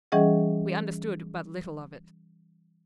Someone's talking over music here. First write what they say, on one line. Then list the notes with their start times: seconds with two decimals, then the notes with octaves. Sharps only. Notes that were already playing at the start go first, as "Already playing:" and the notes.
We understood but little of it.
0.12 E3 G3 C#4 G#4 D#5 F#5